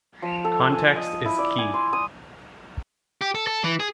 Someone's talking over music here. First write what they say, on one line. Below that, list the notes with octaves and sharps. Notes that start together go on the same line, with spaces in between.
Context is key.
F3
A4
G#5
D#5
E4
D5
G#5
C6
D#6
G4
A4
A4
E3
G#4